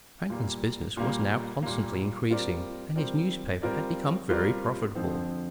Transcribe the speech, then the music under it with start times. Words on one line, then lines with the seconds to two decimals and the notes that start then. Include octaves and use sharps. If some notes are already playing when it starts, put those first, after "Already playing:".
Franklin's business was now constantly increasing, and his newspaper had become very profitable.
0.30 A#2 G3 A#3
0.97 A#2 G3 A#3
1.63 A#2 G3 A#3
2.30 G3 C4 F4 A#4 D5
2.96 G3 C4 F4 A#4 D5
3.62 G3 C4 F4 A#4 D5
4.29 G3 C4 F4 A#4 D5
4.95 F2 D3 F3 C4